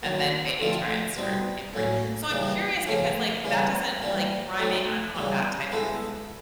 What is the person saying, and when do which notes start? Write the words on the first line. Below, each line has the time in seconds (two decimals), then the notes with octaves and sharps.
and then maybe try and start imparting So, I'm curious because, like, that doesn't like, rhyming I'm not that type of
0.03 D#3 F#3 A#3
0.59 D3 F3 A3 C4 F4
1.16 B2 G3 C4 D#4
1.74 A2 F#3 A#3 C#4
2.30 C#3 E3 G3 A#3 D#4
2.87 C#3 F3 A3 C#4
3.44 C#3 E3 G3 A#3 C#4
4.02 E3 G3 A#3 D4 G4
4.58 F#3 A3 C4 D#4
5.15 C#3 E3 G3 B3
5.72 G#3 B3 E4 A4